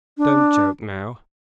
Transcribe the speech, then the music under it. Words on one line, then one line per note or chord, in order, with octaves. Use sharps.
Don't joke now.
D4